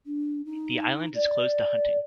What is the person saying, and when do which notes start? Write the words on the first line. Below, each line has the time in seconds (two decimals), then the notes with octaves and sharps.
The island is closed to hunting.
0.06 D4
0.45 D#4
1.15 D5